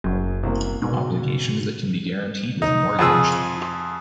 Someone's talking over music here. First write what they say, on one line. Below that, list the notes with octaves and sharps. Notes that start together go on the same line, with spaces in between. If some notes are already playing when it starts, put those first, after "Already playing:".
Obligations that can be guaranteed with a mortgage.
F#1 F#2
C2 A#3
G#2 B2
D#4
F2 F4 G#4 E6